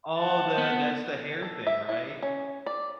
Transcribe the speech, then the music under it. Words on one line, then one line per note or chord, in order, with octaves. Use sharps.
Oh, the that's the hair thing, right?
F#5 A5
B3
A4
E5
E4
C#4
D5